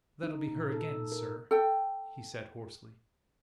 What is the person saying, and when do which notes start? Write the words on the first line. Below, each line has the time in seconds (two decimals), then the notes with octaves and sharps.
"That'll be her again, sir," he said hoarsely.
0.23 D#4
0.48 A#2
0.72 A4
1.12 A#4
1.51 A4 G5